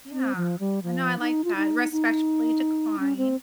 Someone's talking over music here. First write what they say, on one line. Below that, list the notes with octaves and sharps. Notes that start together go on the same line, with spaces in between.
Yeah, I know, I like that, respectfully decline,
C4
F3
G3
F3
D#4
F4
D#4
D#4
C#4
C4